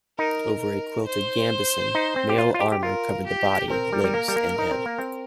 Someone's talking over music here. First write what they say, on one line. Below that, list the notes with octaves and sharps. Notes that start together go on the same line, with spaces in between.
Over a quilted gambeson, mail armour covered the body, limbs and head.
D#4 A#4
A#4
C5
D#4
C4
G4
F4
F4
G4
G4
F4 A#4
G4
C4 A#4
G3
G3
A#3
G3
A#3
D#4
C4
A#3
C4